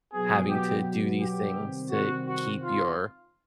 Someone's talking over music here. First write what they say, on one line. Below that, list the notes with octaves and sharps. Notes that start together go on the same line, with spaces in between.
having to do these things to keep your
B2 F#3 B3 G#4
G4
G4
C3 D#3 G3 C4
F#4
F#4
F4